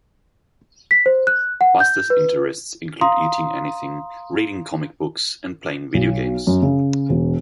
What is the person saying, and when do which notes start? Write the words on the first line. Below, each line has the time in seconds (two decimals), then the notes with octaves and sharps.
Buster's interests include eating anything, reading comic books, and playing video games.
0.91 B6
1.06 C5
1.27 F#6
1.61 F#5
1.80 G6
2.10 B4
3.01 F5 A#5 C6 D#6
5.94 B1
6.47 F#2
6.62 C#3
7.09 E1